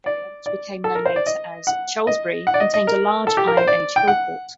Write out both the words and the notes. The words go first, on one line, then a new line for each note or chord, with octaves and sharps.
This area which became known later as Cholesbury contained a large Iron Age Hillfort.
D5
D5
A4
A#4
C5
D5
D#5
F#5
D#5
F#5
D5
D#5
D#5
A#4
A4
G4
A#4
C5
D5
G5
F#5